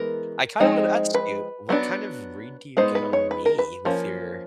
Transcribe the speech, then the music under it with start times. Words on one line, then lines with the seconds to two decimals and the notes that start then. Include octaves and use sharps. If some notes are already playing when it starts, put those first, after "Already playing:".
I kinda wanted to ask you, what kind of read do you get on me with your
Already playing: E3 G#3 B3 A#4
0.60 F3 G#3 C4 D#4
1.14 B4
1.69 F#3 B3 D4
2.77 G#3 B3 D#4 C5
2.95 B4
3.13 C#5
3.31 B4
3.46 A#4
3.59 B4
3.85 F3 A#3 C#4